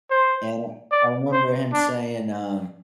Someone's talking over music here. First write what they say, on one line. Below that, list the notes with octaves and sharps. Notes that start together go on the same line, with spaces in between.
and I I remember him saying, um,
C5
D5
C5
D4